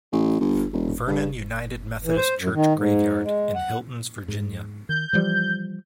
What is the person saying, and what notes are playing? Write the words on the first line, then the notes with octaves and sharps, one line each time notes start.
Vernon United Methodist Church graveyard in Hiltons, Virginia.
A1
G1
E1
G2
E3
C5
F#2
D#3
G#2
G#3
F#5
G#2
D#3 G6
E3 F3 G3